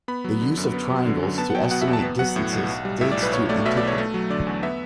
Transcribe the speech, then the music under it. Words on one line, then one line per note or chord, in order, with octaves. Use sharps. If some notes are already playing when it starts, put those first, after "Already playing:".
The use of triangles to estimate distances dates to antiquity.
B3 B5
F#3
D3
F#2
B3
F#3
D3
F#2
B3 A5
F#5
F#3 G5
B2 F#5
E5
E2
A5
B3
F#3 F#5
A2
B1
B1
G3
A2 E5
D5
B1
B4
B1 C#5
A3 D5
B2 E5
D5
B1 C#5
A3
F#3
D3 D5
E2
B3 E5